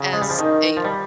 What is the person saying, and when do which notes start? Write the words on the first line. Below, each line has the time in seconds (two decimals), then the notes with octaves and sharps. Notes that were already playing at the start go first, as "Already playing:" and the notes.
as a
Already playing: C#3
0.13 G#3
0.21 G3
0.30 F3
0.38 D#3 D#4 A#4 D#5
0.77 F3
0.84 G3